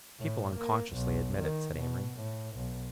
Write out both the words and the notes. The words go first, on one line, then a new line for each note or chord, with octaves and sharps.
"People unconsciously admit it," said Amory.
A2
A#3
B1
D#3
B2
A2
B1